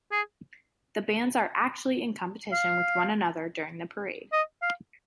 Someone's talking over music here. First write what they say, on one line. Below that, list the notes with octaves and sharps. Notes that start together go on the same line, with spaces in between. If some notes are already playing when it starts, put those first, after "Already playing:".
The bands are actually in competition with one another during the parade.
G#4
F5
D#5
F5